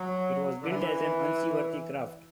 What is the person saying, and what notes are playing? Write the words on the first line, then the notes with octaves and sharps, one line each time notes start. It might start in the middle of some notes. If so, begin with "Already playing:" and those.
It was billed as an unseaworthy craft.
Already playing: F#3
D3
E3